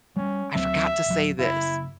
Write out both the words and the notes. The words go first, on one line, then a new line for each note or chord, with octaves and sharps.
I forgot to say this'"
G3 C#4
D2 F#3 C4 E5
D1 F#3
F#1 E4